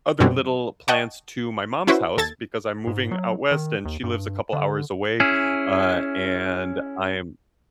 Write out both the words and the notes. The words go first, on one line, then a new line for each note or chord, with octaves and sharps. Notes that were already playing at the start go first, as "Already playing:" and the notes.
other little plants to my mom's house, because I'm moving out west, and she lives a couple hours away, uh, and I'm
F#2 B2 F#3 G3 C4
D#5 F#5 G5 A5 C#6
C#4 E4 F#4 B4 C5
D#2 A4 G#6 A6
G#2
F#3
D#3
D#2
G2
D3
C#4 E4 G#4